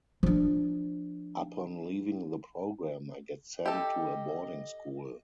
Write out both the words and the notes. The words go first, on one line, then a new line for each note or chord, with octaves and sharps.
Upon leaving the program I get sent to a boarding school.
F3 D4
G4 A4 D#5